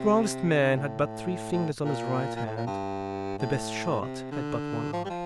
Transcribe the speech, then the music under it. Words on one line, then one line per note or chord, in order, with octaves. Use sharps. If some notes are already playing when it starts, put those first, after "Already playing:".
The strongest man had but three fingers on his right hand; the best shot had but one eye.
Already playing: C3
D3
A2
A2
A#2
A#2
A2
A#2
G2
A2
C3
D3
F3
G3
F3